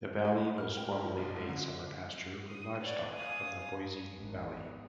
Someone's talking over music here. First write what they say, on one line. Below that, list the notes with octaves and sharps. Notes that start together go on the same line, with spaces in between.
The valley was formerly a summer pasture for livestock from the Boise Valley.
G#3
B5
F6
G5
G#2
F3
B1
G#2
D3
D#6
B4 C#5 D5 F#5
F5 G#5 D#6
G#1
B3